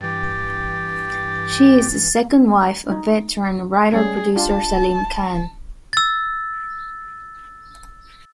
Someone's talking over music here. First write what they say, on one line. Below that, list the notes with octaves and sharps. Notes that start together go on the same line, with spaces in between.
She is the second wife of veteran writer-producer Salim Khan.
G2 E3 G4 G5 A6
D#4
G3 G#3 C#4 G#4
D4 F4 G4 A5
E6 A6